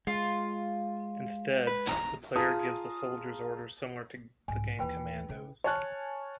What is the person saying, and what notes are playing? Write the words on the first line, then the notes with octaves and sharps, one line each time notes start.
Instead the player gives the soldiers orders similar to the game "Commandos".
G#3 F4
B4
A#5
F4 G#4 A5 A#5 D#6
C2 G#2 G#5
D#2 E3 B4 G5 B5
C#3 C#4
C#5 G#5 A5 C#6 F6 F#6